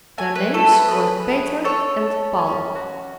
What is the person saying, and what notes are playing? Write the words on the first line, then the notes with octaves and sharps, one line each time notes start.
Their names were Peter and Paul.
A3 G#5
B4
A3 A4
B4
G#4 B4
G#4
A4 C#5
A4
C#4
F#4